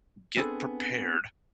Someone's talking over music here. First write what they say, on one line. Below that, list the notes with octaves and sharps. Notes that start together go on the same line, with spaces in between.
get prepared
B3 C4 D4 G#4 A4 B4